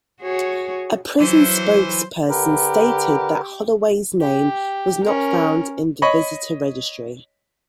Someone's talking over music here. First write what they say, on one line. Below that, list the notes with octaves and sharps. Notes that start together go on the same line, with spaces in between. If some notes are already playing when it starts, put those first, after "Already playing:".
A prison spokesperson stated that Holloway's name was not found in the visitor registry.
F#4 G#4 C#5
E3 F#3 C5
D3 G4 A#4 B4
G4
C#4 A#4
C#5 D#5 B5 C#6